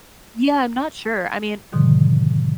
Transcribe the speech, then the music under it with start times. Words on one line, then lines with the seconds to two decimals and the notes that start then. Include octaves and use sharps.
Yeah. I'm not sure. I mean
1.72 G#2 B2 D3 D#3 F3 G3